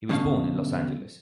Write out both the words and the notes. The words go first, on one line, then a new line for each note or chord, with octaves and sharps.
He was born in Los Angeles.
G2 B2 D3 F#3 C#4 F5